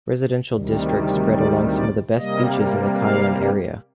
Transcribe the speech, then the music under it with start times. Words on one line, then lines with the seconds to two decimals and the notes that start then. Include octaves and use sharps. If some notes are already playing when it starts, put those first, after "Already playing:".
Residential districts spread along some of the best beaches in the Cayenne area.
0.52 D2 C3 D#3 G3
1.35 D5
1.75 D5
2.17 C3 G3 A#3 D#5
3.01 F5